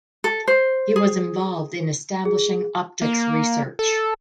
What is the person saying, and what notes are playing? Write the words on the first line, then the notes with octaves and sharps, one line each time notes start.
He was involved in establishing optics research.
A4
C5
G#4
G#4
A#3
A4